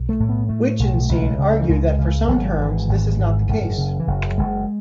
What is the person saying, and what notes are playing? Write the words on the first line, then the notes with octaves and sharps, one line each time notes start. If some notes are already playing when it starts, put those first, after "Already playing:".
Wittgenstein argued that for some terms this is not the case.
Already playing: B1
A3
A2
B3
A2 A3
B1
C#2
C#3
F#3
C#2 G#3
C#3
G#1 F#3
G#2 E3
G#1
G#2
F#1
C#3
E3
F#1 F#3
F#1 G#3